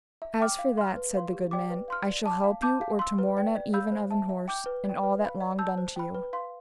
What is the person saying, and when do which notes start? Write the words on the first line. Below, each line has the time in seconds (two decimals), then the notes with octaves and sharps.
As for that, said the good man, I shall help you or to-morn at even of an horse, and all that longed unto you.
0.22 E5
0.40 G5 D6 F6
0.59 F5
0.77 C6 F6
0.96 B4
1.14 F5 C6
1.33 G4
1.51 D5 G5 D6
1.70 B4
1.88 F5 C6 F6
2.07 D5
2.26 A5 D6
2.44 F5
2.62 A5 D6 G6
2.81 F5
2.99 C6 E6
3.18 B4
3.37 D5 G5
3.55 D5
3.73 F5 B5 E6 G6
3.92 C5
4.11 E5 A5
4.29 E5
4.48 G5 D6 G6
4.66 B4
4.85 D5 G5
5.03 B4
5.22 F5 B5
5.41 D5
5.59 A5 E6 G6
5.78 C5
5.96 G5 B5
6.15 B4
6.33 F5 C6